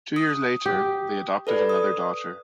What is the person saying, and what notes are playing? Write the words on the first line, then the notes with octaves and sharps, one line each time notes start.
Two years later, they adopted another daughter.
D#6
G4
A4 B4 D5
D#6